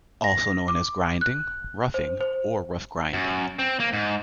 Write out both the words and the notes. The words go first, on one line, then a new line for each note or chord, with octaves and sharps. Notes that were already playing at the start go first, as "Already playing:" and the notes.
Also known as grinding, roughing or rough grinding.
A#6
D6
F#6
C5
C5
F#2
C4
A#3
G#2